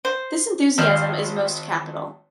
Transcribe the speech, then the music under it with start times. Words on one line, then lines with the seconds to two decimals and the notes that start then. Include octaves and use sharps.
This enthusiasm is most capital.
0.05 C5
0.78 G#1 F3 F5